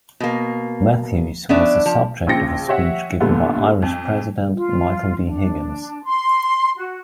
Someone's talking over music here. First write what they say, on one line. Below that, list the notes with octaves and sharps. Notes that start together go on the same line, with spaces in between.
Matthews, was the subject of a speech given by Irish President Michael D. Higgins.
B2 A#3
B3 C#4 D4 D5 E5
F3
A#1 C#3 F3 G5 A#6 C#7
G4 C#5 E5 F#5
A#2 D3 G3 A3 B3
F2
F4
D4
C6
F#4